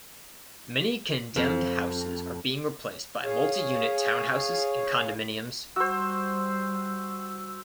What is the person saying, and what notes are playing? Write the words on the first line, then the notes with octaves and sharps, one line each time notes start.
Many condemned houses are being replaced by multi-unit townhouses and condominiums.
F2
G#4 C#5 F5
G3 F#4 C5 E6